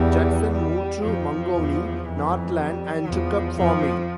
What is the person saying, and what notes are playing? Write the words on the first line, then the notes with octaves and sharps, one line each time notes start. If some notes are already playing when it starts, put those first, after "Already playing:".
Judson moved to Mangonui, Northland and took up farming.
Already playing: E2 G3
G3
F2 F3
E2
F2 E3
G3
E2 F3
F2 F3